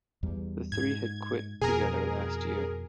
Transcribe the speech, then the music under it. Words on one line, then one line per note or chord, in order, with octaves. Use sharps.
The three had quit together last year.
E2 G3
G#2 G#6
F2 B2 G#4 A#4